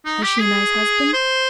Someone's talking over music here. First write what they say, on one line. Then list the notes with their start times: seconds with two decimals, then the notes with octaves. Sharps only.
"Has she a nice husband?"
0.06 D#4
0.23 G4
0.41 G#4
1.14 C5